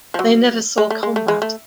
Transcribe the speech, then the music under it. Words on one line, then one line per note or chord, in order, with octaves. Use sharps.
They never saw combat.
F3
F#3
G#3
A3
G#3
A3
G#3
A3